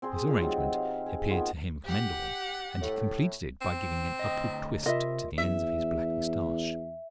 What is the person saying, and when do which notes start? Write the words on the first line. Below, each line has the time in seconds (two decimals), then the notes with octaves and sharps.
This arrangement appeared to him commendable, and he completed it by giving an upward twist to the ends of his black moustache.
0.02 C4 G#4 C6
0.27 F4 D#5
0.40 C3 F#3 D#4
0.74 F5
1.06 G#4
1.28 D#3 B3 F4 G#4
1.85 G4 F#5
2.81 A2
3.62 C4
4.19 D2 D#5 G5 D#6
4.86 C3 F4 A#4 D#5 E5 C6
5.38 E2 E5